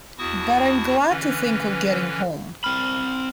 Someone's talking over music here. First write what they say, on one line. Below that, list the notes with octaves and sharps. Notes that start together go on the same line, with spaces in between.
But I’m glad to think of getting home.
E2 E4 F#4 A5 C#6 D#6
D3 E3 C#4 B4
C4 B5 F6